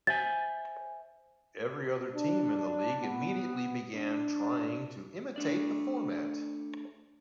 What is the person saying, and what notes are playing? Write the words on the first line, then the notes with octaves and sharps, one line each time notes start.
Every other team in the league immediately began trying to imitate the format.
C5 E5 G#5 A6
D4
B3
D4
A3 D4 D5